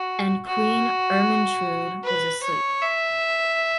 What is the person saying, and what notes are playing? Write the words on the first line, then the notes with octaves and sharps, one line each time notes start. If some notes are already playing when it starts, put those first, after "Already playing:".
And Queen Ermintrude was asleep.
Already playing: F#4
F#4
B4
C#5
E5